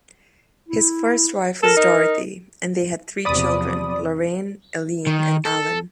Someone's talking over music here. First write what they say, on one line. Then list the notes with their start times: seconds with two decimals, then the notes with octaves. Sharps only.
His first wife was Dorothy and they had three children, Lorraine, Eileen and Alan.
0.68 E4
1.63 A4 A#4
1.77 D#4
3.25 E2 C3 F3 D5 B5 D#6
5.07 D#3
5.45 A4